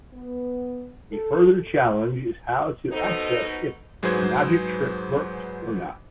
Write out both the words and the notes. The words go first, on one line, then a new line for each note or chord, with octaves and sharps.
A further challenge is how to assess if the magic trick worked or not.
B3
A4
B2 D#4 A4 C5
G#2 F#3 G#4 B4 C5 G#6